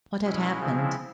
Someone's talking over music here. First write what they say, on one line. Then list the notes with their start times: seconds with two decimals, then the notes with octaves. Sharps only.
What had happened?
0.24 B2 G#3 C#4 E4
0.59 C#3 F3 G#3 C4 E4